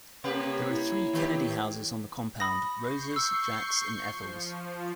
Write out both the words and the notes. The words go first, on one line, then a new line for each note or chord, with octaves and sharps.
There are three Kennedy houses on the compound: Rose's, Jack's, and Ethel's.
C3 A#3 G4 B4 C#5
E4
D#3 G4
B5 D#6 A#6
C#6 G6 C7
E6
F3